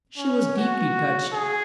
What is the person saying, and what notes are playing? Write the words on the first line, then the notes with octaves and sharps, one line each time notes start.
She was deeply touched.
C#4
F#4
G#4